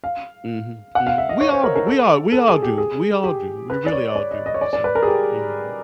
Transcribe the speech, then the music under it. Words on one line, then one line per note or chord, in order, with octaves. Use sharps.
Mhm, mhm. We all do. We all we all do. We all do. We really all do, so, you know.
F5
F#5
F5
E5
D#5
C#5
C5
A#4
A#4
A4
A4
G#4
G4
G#4
G4
B4
D5
C#5
D5
D#5
D#5
C#5
D5
D5
B4
A#4
G#4
G4